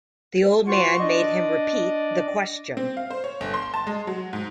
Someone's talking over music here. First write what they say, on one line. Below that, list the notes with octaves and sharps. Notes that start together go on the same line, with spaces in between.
The old man made him repeat the question.
F4 F#4 C5 C#6
D4 D5 D#5
C4
F5
C5
C#5
G1
C6
A5
G#3
F#3
G#2